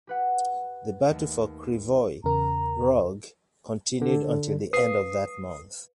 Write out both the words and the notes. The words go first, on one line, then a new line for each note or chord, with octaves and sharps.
The battle for Krivoi Rog continued until the end of that month.
G4 B4 F#5
D#2 A3
E2 C#3 A#4 A#5
D3
B4 F5 D#6 C7